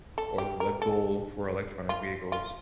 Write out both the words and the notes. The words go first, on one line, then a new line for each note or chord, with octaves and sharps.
Or, the goal for electronic vehicles.
A4
G4
A#4
A4
F4
F4